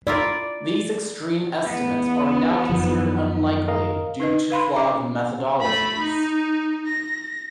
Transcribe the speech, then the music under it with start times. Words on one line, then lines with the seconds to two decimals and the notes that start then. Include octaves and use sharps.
These extreme estimates are now considered unlikely due to flawed methodologies.
0.07 E4 F4 A#4 D5
1.65 E2 B3
2.69 F#2 D#3 F3
3.68 A#4 D#5 F5
4.20 D#4 B4 D#5
4.50 B4 F5 B5 C6
4.76 C#4 D#5 D6
5.61 A3 B5
5.99 D#4
6.86 A#6